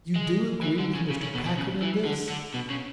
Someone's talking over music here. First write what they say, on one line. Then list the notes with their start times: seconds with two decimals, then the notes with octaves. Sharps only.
"You do agree with Mr. Packard in this?"
0.16 G#3
0.63 E3
0.80 D3
0.95 C#3
1.10 C#3
1.23 C#3
1.35 B2
1.46 B2
1.58 C#3
1.83 E3
2.05 D3
2.29 D3
2.54 B2
2.70 C#3